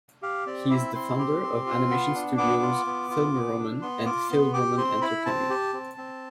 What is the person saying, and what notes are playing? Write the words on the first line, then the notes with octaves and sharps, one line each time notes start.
He is the founder of animation studios Film Roman and Phil Roman Entertainment.
G4 F5
C4 D5
E4 E5
C4 C6
G4
C4
F4
B3
D4
B3 D6
F4
B3
F4
B3
D4
B3 C6
F4 D6
B3 C6
G4 D6
C4 C6
E4 B5
C4 A5
G4
C4
C4